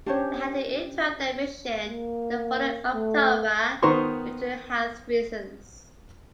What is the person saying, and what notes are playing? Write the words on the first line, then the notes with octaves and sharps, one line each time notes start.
They had to interrupt their mission the following October due to health reasons.
C#4 D4 G4 C5 C#5
A#3
A3
D#3 B3 C5 A#5 C6 C#6